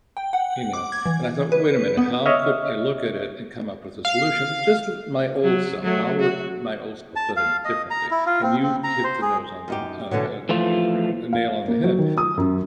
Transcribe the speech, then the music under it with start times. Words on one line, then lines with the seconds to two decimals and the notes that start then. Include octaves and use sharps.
You know? And I thought, "Wait a minute. How could I look at it and come up with a solution? Just th my old self, how would my old self done it differently?" And you hit the nose on the, uh uh the re the nail on the head,
0.17 G5
0.33 F#5
0.73 D6
0.92 G#6
1.06 E3
1.52 B4
1.97 B3
2.26 C#5 D#5 E5 F6
4.05 F5
5.43 F#3
5.83 F#3 A3
6.19 F#4
7.16 A5
7.37 F5
7.65 D#5
7.90 A#5
8.11 E4
8.26 F4
8.43 C4
8.62 C4
8.84 A#5
9.04 C5
9.22 G#4
9.68 F#2 D#4 G4
10.11 B2 D3 E3 F#3
10.49 E3 F3 A3 F4
11.33 F5
11.68 A#3
11.84 F#3
11.98 D#3
12.18 D#6
12.37 F#2